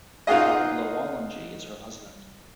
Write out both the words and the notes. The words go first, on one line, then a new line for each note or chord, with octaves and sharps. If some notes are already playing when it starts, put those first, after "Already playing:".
The god Lowalangi is her husband.
D#4 F4 F#4 G#4 D#5